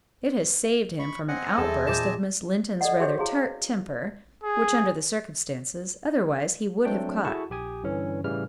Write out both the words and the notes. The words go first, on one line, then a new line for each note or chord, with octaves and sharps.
It has saved him from an outburst of Miss Linton's rather tart temper, which, under the circumstances, otherwise he would have caught.
B5 C#6
C4 D#5 F#5 G#5
E2 A4 A5
A#2 A5 D6 G6
A4 D5 D#5 F#5
F#4 G#4 C5 C#5 G5 C#6
E4 G#4 F5 C6
G#4
F#3 A3 C4 D4 G5
E4 F#4 G#4 A4 A5 C#6
A#1 G4 G#5 D#6
G2 D3 E3 C#4
A2 C#3 E3 G3 F6